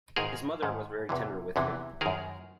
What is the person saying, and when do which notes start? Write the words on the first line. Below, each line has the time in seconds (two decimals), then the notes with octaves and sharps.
His mother was very tender with him.
0.16 G#2 D#3 G#4 A#4
0.63 G#2 D#3
1.09 E2 C3 E3
1.56 E2 C3 E3
2.01 F#2 D#3 G#4 A#4